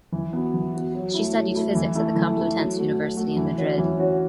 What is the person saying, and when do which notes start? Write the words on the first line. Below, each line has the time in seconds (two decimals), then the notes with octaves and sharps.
She studied physics at the Complutense University in Madrid.
0.12 E3
0.33 B3 F#4
0.54 E3
0.74 B3 F#4
0.94 F#3
1.14 A3 E4
1.35 F#3
1.55 A3 E4
1.75 E3
1.95 A3 E4
2.15 E3
2.36 A3 E4
2.57 F#3
2.76 A3 F#4
2.97 F#3
3.17 A3 F#4
3.37 E3
3.58 C#4 F#4 C#5
3.78 E3
3.98 C#4 F#4 C#5